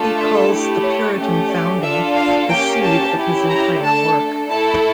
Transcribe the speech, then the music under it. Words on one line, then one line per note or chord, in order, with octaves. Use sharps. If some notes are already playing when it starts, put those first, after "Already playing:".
He calls the Puritan Founding the "seed" of his entire work.
Already playing: A3 D4 F4 A4
E5
A3 E4 G4
C#5
A3 C#4 G4
D5
D4 F4 A4 E5
F5
A#3 C#4 G4 G5
A5
C#4 E4 G4
A#5
A3 D4 A4 A5
A3 E4 A4 A5